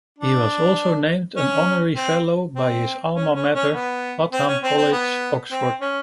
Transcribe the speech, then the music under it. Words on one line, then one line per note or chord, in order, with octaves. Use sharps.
He was also named an honorary fellow by his alma mater, Wadham College, Oxford.
D4
C#4
C4
C4
C#4
C#4
C#4
B3
C4
C#4
C4
C4
B3
C4
C#4